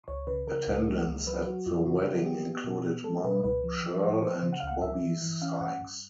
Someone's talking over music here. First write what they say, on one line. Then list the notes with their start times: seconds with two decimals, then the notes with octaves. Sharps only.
Attendants at the wedding included Mum Shirl and Bobbi Sykes.
0.08 C#2 C#5
0.27 C#3 B4
0.47 C#3 A#4
0.67 C#2
0.87 G#3
1.07 C#2
1.26 F#3 B4
1.46 F#3 F#4
1.66 F2 F4
1.86 C#3 F#4
2.06 F#3 G4
2.25 B3 G4
2.45 B3
2.64 B2
2.85 B3
3.04 G#3 A4
3.24 B2 B4
3.44 C#2 B4
3.64 F3
3.84 F3
4.03 F3
4.23 F3 C5
4.42 C#3
4.53 F#5
4.60 F5
4.63 C#2 F#5
4.82 G2 E5
5.02 E3
5.22 E3
5.42 C#4 F5
5.61 G2 F#5
5.82 G2